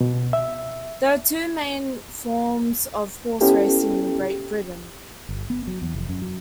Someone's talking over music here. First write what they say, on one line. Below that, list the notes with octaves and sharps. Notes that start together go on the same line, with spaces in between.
There are two main forms of horse racing in Great Britain.
B2
E5
B3 C#4 E4 G4 A4
G1
B3
F#3
E2
F1
F#2
F#3